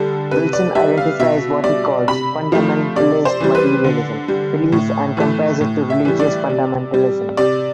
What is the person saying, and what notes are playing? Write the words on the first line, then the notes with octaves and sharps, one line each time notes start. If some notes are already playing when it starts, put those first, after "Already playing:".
Wilson identifies what he calls "Fundamentalist Materialism" belief and compares it to religious fundamentalism.
Already playing: D3 G3 A4
C3 B4
D5
G3 E5
F5
B2 E5
G3 D5
C3 B5
F3 A3
C3 D5
C5
E3 G3
B4
D3
G3
A2
E3 A3
A2
E5
E3 G3
D5
C3
G3
C3 D5